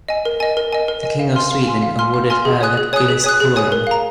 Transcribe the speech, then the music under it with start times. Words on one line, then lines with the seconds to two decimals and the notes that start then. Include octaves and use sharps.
The King of Sweden awarded her the Illis quorum.
0.09 D#5 G#5
0.25 A#4
0.40 D#5 G#5
0.57 A#4
0.73 D#5 G#5
0.88 A#4
1.03 D#5 G#5
1.19 F5
1.35 G#5 C6 F6
1.51 F5
1.67 G#5 C6 F6
1.82 F5
1.99 G#5 C6 F6
2.14 F5
2.30 G#5 C6 F6
2.45 G#4
2.61 C#5 G#5 D#6 F#6
2.77 G#4
2.93 C#5 G#5 D#6 F#6
3.09 G#4
3.24 C#5 G#5 D#6 F#6
3.40 G#4
3.56 C#5 G#5 D#6 F#6
3.72 A#4
3.87 F5 A#5